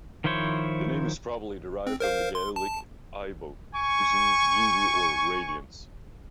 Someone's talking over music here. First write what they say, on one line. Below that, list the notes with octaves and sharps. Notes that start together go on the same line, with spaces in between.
The name is probably derived from the Gaelic "aoibh", which means "beauty" or "radiance".
D#3 F3 E4 C5 C#5
C4
A#4 C5 F5
C6
A5
G#5 C#6